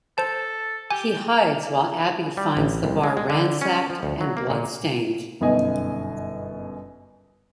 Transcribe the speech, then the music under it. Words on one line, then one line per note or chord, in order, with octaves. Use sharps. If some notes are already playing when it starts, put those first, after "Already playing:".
He hides while Abby finds the bar ransacked and bloodstained.
A4 C5 A5
G4 G#5
G3
A1
C2
G#3
G#3
D3
C#4
F3
D2
F#3
A#3
A#2
G1 F#2 B2 D#4 D#5 G#5